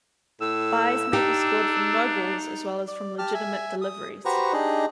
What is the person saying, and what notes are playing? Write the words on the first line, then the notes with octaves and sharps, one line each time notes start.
Byes may be scored from no balls as well as from legitimate deliveries.
A2 E6
D4 D#4 G4
D5
G4 A5 F6
E5 G#5
D#6
F#4 G4 B4 C5 A#5 C#6
D4 D#4 G4 G#4 D#5